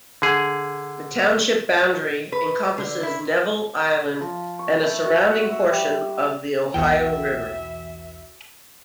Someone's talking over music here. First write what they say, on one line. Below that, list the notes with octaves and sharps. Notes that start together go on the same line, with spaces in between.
The township boundary encompasses Neville Island and a surrounding portion of the Ohio River.
D3 G#4
B4
D3
E4
F3
C#6
E4
F#4
F#5
E5
G3
B1 E2 E3 F#4 E5 G5